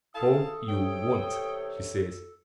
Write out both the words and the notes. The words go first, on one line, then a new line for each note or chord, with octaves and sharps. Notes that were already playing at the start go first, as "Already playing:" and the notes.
"No you won't," she says.
E4 A4 F5 A5 D#6
E2 C3 C#5 G5